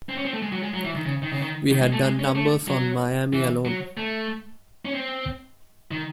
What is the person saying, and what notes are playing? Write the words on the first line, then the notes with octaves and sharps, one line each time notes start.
We had done numbers on Miami alone.
C4
C#4
C4
A3
G#3
F#3
G#3
F#3
E3
D#3
C#3
D#3
C#3
D#3
D#3
G#3
A3
G#3
C#4
A3
F#3
E3
F#3
A3
C#4
C4
D#3